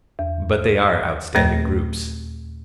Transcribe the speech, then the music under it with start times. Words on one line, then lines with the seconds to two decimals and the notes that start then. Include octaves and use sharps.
But they are outstanding groups.
0.19 E2
1.35 D#2 A#2 A3 B4 A#6